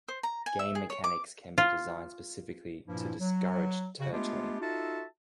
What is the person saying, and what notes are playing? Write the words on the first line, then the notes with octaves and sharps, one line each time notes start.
Game mechanics can be designed specifically to discourage turtling.
C5
A#5
G#5
E5
G#4
C#5
D6
F4
G2 A#2 F3 A#3 E4
F#3
C#3 F#4
G#3 A3 B3 D4 F4 G4
D#4 F4 F#4 A4 E5 A5